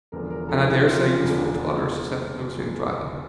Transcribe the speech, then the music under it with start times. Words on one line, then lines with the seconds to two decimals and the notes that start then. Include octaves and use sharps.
"And I daresay useful to others," said Lucian drily.
0.12 E1 E2 D3 F3 A#4
0.30 A#4
0.48 D2 C3 F3 A4
0.67 E4
0.86 E2 C3 F3 F4
1.23 E1 E2 D3